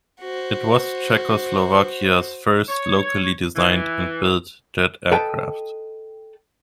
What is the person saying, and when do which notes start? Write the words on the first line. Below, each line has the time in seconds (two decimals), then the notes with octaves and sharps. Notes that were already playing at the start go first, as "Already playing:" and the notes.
It was Czechoslovakia's first locally designed and built jet aircraft.
0.20 F#4 C5
2.69 C#5
3.56 E3
5.12 A4 B4 D#5 G5 A5